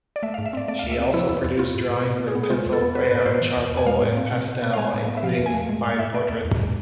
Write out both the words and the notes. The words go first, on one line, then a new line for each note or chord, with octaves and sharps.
She also produced drawings in pencil, crayon, charcoal and pastel, including some fine portraits.
D5
A3 E5
G#2 F5
E5
C4 D5
A3 D5
D2 F5
E5
C4 D5
F3 E4
E2 E4
E2 E4
B3 F4
G#2
G#2
B2
B2
G#4
B3
G#4
G#3 F4
E2
A4
B3
B3 B4
C5
G#2 B4
D5
G#2 C5
E3
E2
E2
G#5
G#3 F5
A2
C4
B2
B2
B3
F5
G#3 G#5
A2
B3
E5
F3 F5
E2
G#5
A3
G#3
G#2 F5
G#2 E5
A3 D5
E2
E2
G#3